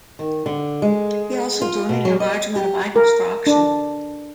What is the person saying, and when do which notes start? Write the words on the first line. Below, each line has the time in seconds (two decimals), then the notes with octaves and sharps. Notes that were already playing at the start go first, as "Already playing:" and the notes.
He also donated a large amount of items for auction.
0.19 D#3
0.46 D3
0.82 G#3
1.61 F4
1.89 B2
2.05 F#3
2.20 D#5
2.56 G4
2.96 A#4
3.47 D4